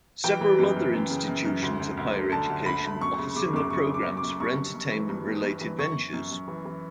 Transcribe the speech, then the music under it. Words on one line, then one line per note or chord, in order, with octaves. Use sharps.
Several other institutions of higher education offer similar programs for entertainment related ventures.
E3 G5
E3
F#2
F#2
F#2
C#3
F#2
F#2
D2
D2
D2
D3
D3 A5
D2
D2 B5
D2
F#2 C#6
C#3
C#3 D6
F#2 D6
F#2 C#6
F#2
D6
C#3
D6
F#2
G2 C#6
G2
G2
E3
G2
G2
G2
E3
F#2 C#6
F#2
F#2
F#2
E3
E3